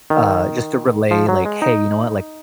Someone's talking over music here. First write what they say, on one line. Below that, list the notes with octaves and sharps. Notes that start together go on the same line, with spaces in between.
uh, just to relay, like, "Hey, you know what, like,
D#3
F3
F#3
G#3
D#4